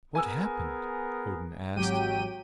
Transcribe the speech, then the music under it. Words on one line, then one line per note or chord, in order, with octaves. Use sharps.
"What happened?" Odin asked.
B3 G#4 A#4 G#5 E6
G#1 E3 F#3 G4 G5 D#7